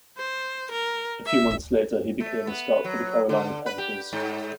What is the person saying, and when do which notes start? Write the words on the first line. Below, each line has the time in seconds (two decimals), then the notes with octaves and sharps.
A few months later he became a scout for the Carolina Panthers.
0.17 C5
0.71 A#4
1.26 E5
2.20 A3
2.47 B3
2.84 F#3
3.29 D3
3.66 B4
3.78 G4
4.13 G#2